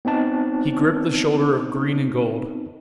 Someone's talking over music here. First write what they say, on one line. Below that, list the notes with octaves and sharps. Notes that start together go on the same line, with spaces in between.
He gripped the shoulder of green and gold.
B3 C4 D#4 A5